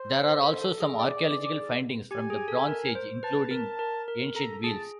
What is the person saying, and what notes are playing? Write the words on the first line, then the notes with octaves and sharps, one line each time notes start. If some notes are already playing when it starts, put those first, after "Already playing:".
There are also some archaeological findings from the Bronze Age, including ancient wheels.
Already playing: C5
A4
A4
G#4
D5
G4 G#5
G#4
A4
A#4
C5
B4 A5
A#4
A#4
A#4
A4 A#5
G#4 A5